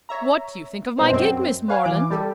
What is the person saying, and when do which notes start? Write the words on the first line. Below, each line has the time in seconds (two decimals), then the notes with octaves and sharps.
What do you think of my gig, Miss Morland?
0.09 C#5 E5 A#5
0.98 B2 G#3 C4 C5
1.12 F#2 F#3 C4
1.68 B4 C#5 F5 G#5
1.84 E3 D6
2.10 G3 G4 A4